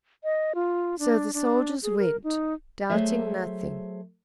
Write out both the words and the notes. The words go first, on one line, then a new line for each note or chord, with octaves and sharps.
So the soldiers went, doubting nothing.
D#5
F4
D4
D4
G#4
A#4
D#4
F#3 A3 G#4 C5 E5